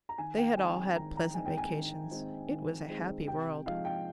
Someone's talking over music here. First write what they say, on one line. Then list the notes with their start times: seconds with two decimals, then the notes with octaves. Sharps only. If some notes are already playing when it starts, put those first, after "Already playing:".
They had all had pleasant vacations: it was a happy world.
0.09 A#5
0.18 D#3 G#5
0.38 G5
0.56 G#3 C4 D#4 G#5
0.76 G#5
0.95 D#3 A#5
1.17 A#5
1.34 G#3 C4 D#4 G#5
1.46 G5
1.58 G#5
1.73 D#3
2.11 G#3 C4 D#4
2.50 D#3
2.89 G#3 C4 D#4
3.27 C3 G5
3.66 F3 G#3 D#4 F5
3.85 G5